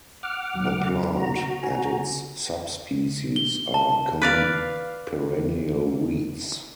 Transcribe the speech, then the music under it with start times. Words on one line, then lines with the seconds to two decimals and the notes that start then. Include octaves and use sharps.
The plant and its subspecies are common perennial weeds.
0.23 F#5 D6 F6
0.54 D#2 F#3
1.17 F#4 A#5
1.63 G#5
3.36 G7
3.74 A5
4.22 B4 D5 F5